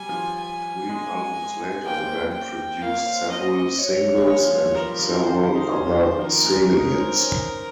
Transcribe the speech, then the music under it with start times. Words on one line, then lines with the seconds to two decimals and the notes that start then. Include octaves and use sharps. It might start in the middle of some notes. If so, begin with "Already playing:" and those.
Three albums later, the band produced several singles and several other semi-hits.
Already playing: G3 G#5
0.09 F3
0.41 G#5
0.89 G#3
1.85 A#3 G5
1.96 C4
2.07 A#3
2.33 G5
2.82 A#3 F5
2.97 A#3
3.06 C4
3.30 C4 D#5
3.78 C#5
4.20 G#3
4.26 A#3
4.39 F3
4.51 F3
4.62 F3
4.75 F3 A#4
4.87 G3
4.99 F3
5.11 F3
5.23 D#3 C5
5.39 F3
5.55 D#4
5.71 C#4
5.87 F3
6.03 D#3
6.19 F3 A#4
6.44 G#3
6.76 D#4
6.84 C#4
6.91 C4
7.08 C4
7.16 C#4